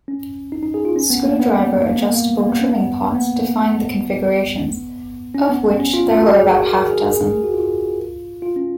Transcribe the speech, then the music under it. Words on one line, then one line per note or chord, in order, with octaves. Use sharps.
Screwdriver-adjustable trimming pots defined the configurations, of which there were about half a dozen.
C#4
D#4
D#4
G#4
F4
C#4
B3
A#3
B3
A#3
B3
A#3
A#3
B3
C#4
B3
A#3
B3
A#3
B3
C#4
B3
C#4
F4
F4
F#4
G#4
A#4
A#4
A#4
G#4
G#4
A#4
G#4
F#4
F4
F4
C#4